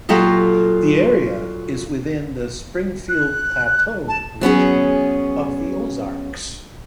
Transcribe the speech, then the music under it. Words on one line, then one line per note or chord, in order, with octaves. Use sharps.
The area is within the Springfield Plateau region of the Ozarks.
A#2 F#3 F4 G4 A4 D#5
F#6
A5
F#3 B3 C#4 G#4